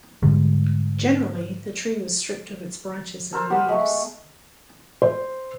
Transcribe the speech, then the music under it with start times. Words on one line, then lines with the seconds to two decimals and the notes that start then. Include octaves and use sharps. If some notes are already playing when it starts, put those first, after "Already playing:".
Generally, the tree was stripped of its branches and leaves.
0.23 G#2 D3 G3 G#3
3.33 A4 A#4 C5
3.50 B3 G4 F#5
3.68 G#3 A3
5.02 C5